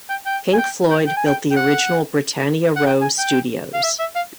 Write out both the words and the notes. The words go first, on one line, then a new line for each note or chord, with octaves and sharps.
Pink Floyd built the original Britannia Row Studios.
G5
G5
G#5
G5
G5
G5
G#5
G5
G5
F#5
F#5
G5
G#5
G5
F5
E5
E5
F5